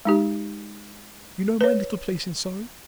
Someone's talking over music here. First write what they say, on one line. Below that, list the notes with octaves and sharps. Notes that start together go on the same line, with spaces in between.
You know my little place in Surrey?
G#3 D#4 G4
B4 C#5